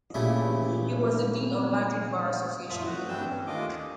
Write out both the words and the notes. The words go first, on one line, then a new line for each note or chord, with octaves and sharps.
He was the Dean of Madrid Bar Association.
A#2 C#3 G3 A3 E4
F#2 A#2 F3 F4 E5 D#6
F#4
G2 E3 C4 D4 E6 G6
C#4
D#2 D#3 A3 F4 D#5 D6
D4